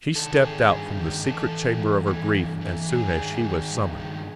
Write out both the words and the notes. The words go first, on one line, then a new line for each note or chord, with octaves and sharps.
She stepped out from the secret chamber of her grief as soon as she was summoned.
D#3 A4
D#3 G#4
G2
D#3
E3 A4
E3
G2
E3
G2
E3
G2 G#4
D#3
D#3
G2
D#3